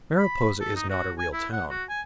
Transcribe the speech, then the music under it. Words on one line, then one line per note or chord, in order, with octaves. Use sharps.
Mariposa is not a real town.
B5
A4
D#4
F#4
G#5
E4
F#5
F#4
G#5